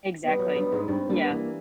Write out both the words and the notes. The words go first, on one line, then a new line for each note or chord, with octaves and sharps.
Exactly, yeah.
G3 B3
F#3
G2 G3
G#2 G#3
G2 G3 C4
G2 G3 A#3
B3
E3 A#3